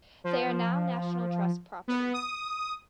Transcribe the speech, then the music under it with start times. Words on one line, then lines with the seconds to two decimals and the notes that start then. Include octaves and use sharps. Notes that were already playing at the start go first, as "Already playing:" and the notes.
They are now National Trust property.
0.24 F3
1.88 B3
2.13 D#6